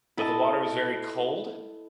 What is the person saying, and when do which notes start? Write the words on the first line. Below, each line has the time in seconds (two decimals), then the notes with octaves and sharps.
but the water was very cold,
0.17 E4 A4 D#5 A5